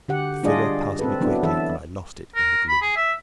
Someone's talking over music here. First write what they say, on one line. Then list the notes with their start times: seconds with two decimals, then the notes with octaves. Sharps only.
The figure passed me quickly, and I lost it in the gloom.
0.09 D3 G4 F#5
0.43 G3 D4 F4 G#4 D5 D#5
0.99 C4 A4 B4
1.21 F#3 B3 D4 E4
1.43 E3 A4 E5
2.35 A#4
2.68 B5
2.82 G#4
2.96 E5